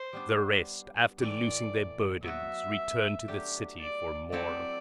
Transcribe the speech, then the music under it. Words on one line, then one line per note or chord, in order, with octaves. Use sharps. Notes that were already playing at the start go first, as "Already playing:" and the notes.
The rest, after loosing their burdens, returned to the city for more.
Already playing: C5
G3 B3 D4
A2 E3 A3 D5
F#3 B3 F#4 E5
F#3 A3 D4 G4
D5
F#3 C4 E4 A4 D5